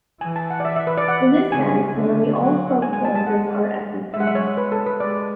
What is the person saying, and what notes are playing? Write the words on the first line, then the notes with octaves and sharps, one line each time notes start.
In this sense, nearly all folk dances are ethnic ones.
E3 G#5
A5
F#5
D5
E5
E5
B4
D5
F#5
C#3 G#5
D3
F#3
G#3 G#5
G#5
A5
A5
F#5
G#3 E5
F#5
E5
C#5
B4
A4
B4
G#3 D5